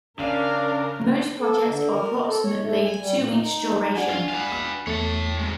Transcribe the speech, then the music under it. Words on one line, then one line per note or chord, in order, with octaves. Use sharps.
Most projects are approximately two weeks duration.
C#3 C#4 D4 A#4 F5
A4
D3
A#4
A4
C#5
A3
G#5
G3
A#2
D#4
D#4
D4 F#4 G#5
F4
B4 F5
E2 A3 C#5 A5
G#3 C4